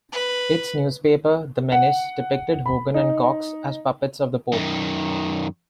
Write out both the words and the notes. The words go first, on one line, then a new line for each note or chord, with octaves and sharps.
Its newspaper, "The Menace", depicted Hogan and Cox as puppets of the pope.
B4
F#5
B5
D#4
F#2 D#3